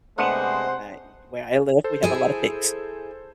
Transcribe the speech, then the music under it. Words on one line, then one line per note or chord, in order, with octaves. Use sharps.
So I where I live, we have a lot of pigs.
C3 G#3 A3 B3 D4 C5 F#5
A4 C5
E4 G#4 G#5